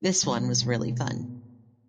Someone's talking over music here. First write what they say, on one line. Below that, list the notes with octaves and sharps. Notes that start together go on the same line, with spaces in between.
This one was really fun.
B2 G3
B2
B2 A3
B2
A2 B3